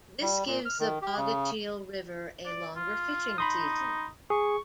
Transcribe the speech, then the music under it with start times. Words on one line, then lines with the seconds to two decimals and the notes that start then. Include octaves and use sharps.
This gives the Bogachiel River a longer fishing season.
0.22 G3
0.47 A#2
0.65 F6
0.79 D#3
1.02 G4
1.16 C#3
2.46 D5
2.76 F4
3.38 D#4 B5 C6 D#6
4.30 G#4 C#6